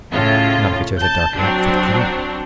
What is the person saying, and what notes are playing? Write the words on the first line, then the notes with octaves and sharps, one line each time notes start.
"Not if he chose a dark night for the climbing."
A2 C#3 F4
A5 G6
F#3 C4 D4